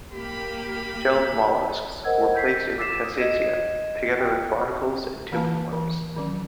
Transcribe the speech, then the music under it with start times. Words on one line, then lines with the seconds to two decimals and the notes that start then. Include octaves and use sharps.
Shelled molluscs were placed in the Testacea, together with barnacles and tube worms.
0.13 A#3 G4 B5
2.04 A#4 C5 D#5 F#5 E6 G#6
2.35 G6 B6 C7
2.78 D6 E6 A6 B6 C7 E7
3.04 D#6
3.18 D#5 G#6 E7
4.18 G5
5.32 E3 A#3 B4 F5 G#5 A5
5.73 E3
6.16 D#3 F#3 C#4